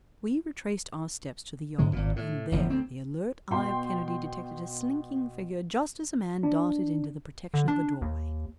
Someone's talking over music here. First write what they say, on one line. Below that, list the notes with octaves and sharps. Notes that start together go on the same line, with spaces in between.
We retraced our steps to the yard, and there the alert eye of Kennedy detected a slinking figure just as a man darted into the protection of a doorway.
G#2 D3 F#3 G#3
G#1 A#2
A2
F#1 E2 F3
D2 C4
B2 G5 C6
D4
D3
D4
D#2